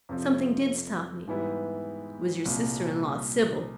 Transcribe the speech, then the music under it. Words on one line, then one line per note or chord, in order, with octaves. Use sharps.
Something did stop me; it was your sister-in-law, Sibyl.
F2 C3 F3
G#2 E3 G3 B3 E4
C2 A#2 G3